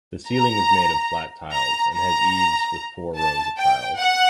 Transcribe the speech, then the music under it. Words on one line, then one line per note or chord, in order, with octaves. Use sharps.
The ceiling is made of flat tiles and has eaves with four rows of tiles.
A#5
A#5
A#5
A5
G5
F#5